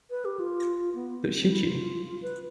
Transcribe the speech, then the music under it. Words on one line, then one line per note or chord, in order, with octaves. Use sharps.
But should you?
B4
G4
F4
B3
C4
E4
F4
B4